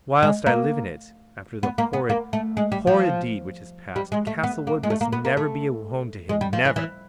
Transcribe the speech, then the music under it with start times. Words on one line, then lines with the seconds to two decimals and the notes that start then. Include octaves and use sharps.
Whilst I live in it, after the horrid horrid deed which has passed, Castlewood must never be a home to him--never.
0.23 G#3
0.46 A#3
1.63 B3
1.78 A#3
1.93 B3
2.10 A#3
2.33 A3
2.57 G#3
2.72 G3
2.87 F3
3.96 G3
4.12 G#3
4.27 A3
4.43 B3
4.67 A#3
4.83 G#3
4.90 A3
5.01 A#3
5.13 B3
5.25 A#3
5.37 A3
6.29 G#3
6.41 G3
6.53 F3
6.65 E3
6.76 E3